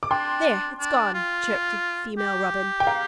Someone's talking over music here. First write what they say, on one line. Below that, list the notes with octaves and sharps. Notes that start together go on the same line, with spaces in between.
"There, it's gone!" chirped the female robin.
D6
D4 G5 C6
D4
F4
G4
G5
F5 A#5